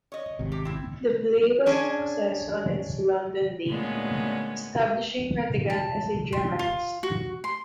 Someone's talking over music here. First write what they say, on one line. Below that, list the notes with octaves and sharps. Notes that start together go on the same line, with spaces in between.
The play was a success on its London debut, establishing Rattigan as a dramatist.
C#5 D#5
G#1 C3
G4
C4 E4
C#4 D4 G#4
D2 A#2 G#3 B3 C#4
A5
C6
F4
F#4
C6